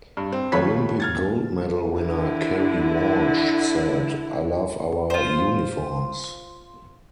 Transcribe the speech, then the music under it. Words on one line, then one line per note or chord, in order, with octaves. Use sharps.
Olympic gold medal winner Kerry Walsh said, I love our uniforms.
G2
C4
D#2 F3 A3 C#5 B5 B6
F6 G#6 A6
D3 E4
F4 C5